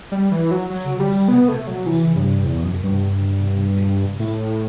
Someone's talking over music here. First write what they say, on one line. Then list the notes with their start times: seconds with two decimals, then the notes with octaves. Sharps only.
Kim said that the musical is about the comfort women victims.
0.12 G3
0.32 E3
0.51 F#3
0.70 F#3
0.99 G3
1.28 B3
1.48 A3
1.67 F#3
1.86 E3
2.16 G2
2.45 E2
2.64 F#2
2.83 G2
4.20 A2